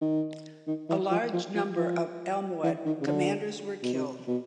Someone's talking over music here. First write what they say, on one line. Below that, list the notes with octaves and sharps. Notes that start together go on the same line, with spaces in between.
A large number of Almohad commanders were killed.
D#3
D#3
E3
F3
F3
F3
F3
E3
D#3
C#3
D3
B2
C3
B2